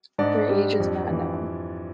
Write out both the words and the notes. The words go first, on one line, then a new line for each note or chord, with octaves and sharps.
Her age is not known.
G#2 D4 D5
G3
F2
E3